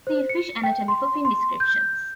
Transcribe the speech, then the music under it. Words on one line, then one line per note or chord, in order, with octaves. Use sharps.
See fish anatomy for fin descriptions.
C5
C#7
G5
C6
C6
G6